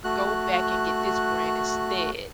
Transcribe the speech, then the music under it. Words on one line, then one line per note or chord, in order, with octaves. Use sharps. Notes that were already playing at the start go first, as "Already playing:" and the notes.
go back and get this brand instead.
A3 F#4 F#6